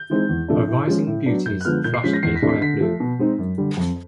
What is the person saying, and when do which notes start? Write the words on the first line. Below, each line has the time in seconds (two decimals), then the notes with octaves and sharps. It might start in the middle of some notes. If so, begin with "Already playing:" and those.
Her rising beauties flushed a higher bloom.
Already playing: G6
0.10 E3 G#3 C4 D#4
0.29 E2
0.48 C3 F3 A3 D4
0.68 A2
0.87 F3 G#3 C#4
1.07 A2
1.26 F#3 B3 D4
1.45 F#2 G6
1.61 F#6
1.65 D3 F3 G#3 B3 F6
1.84 A#2 G6
1.94 C7
2.03 F3 G#3 C#4 B6
2.13 A#6
2.23 E2 C7
2.36 B6
2.42 C3 E3 A3 D4
2.49 B6
2.61 D3 B6
2.80 F3 A3
3.00 B2
3.19 G#3 C4 D#4
3.38 F#2
3.58 D3 G3
3.77 F2